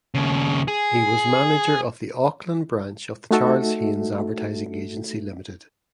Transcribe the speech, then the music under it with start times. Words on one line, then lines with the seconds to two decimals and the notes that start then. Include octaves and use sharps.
He was manager of the Auckland branch of the Charles Haines Advertising Agency Limited.
0.15 D#2 C#3
0.68 G#4
3.31 A3 D#4 F#4 A4 E5